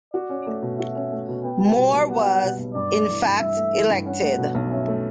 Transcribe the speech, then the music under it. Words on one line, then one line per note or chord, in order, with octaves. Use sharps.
Moore was, in fact, elected.
F#4 D5
C#4
A3
B2
F#4 E5
C#4
A3
B2
B3 G5
G3
B2
B1
B3 F#5
G3
B2
B1
G2 D5
A3
E3
G2
G2 E5
A3
E3
G2
C#4 F#5
A3
B2
B1
C#4 E5
A3